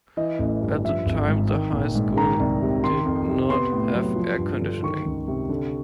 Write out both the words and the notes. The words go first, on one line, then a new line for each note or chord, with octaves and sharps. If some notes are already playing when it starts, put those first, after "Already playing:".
At the time the high school did not have air conditioning.
E3 D#5
A1
G2
F3 E5
G#1
G#2
D#3
A#1
G#2
D#3 A#5
C2
C3
D#3 C6
F2
C3
B3 C6
A2
F#3
F3
G2
D3
D#3 C#6
C#2
C3
D3